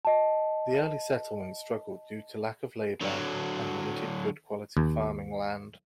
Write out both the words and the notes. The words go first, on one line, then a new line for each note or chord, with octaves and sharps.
The early settlement struggled due to lack of labour and limited good-quality farming land.
D#5 A5
D3 F#3
D#2